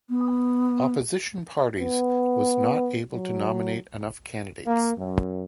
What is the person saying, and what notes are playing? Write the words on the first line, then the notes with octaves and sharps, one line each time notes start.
Opposition parties was not able to nominate enough candidates.
B3
B3
F#3
A#3
F#2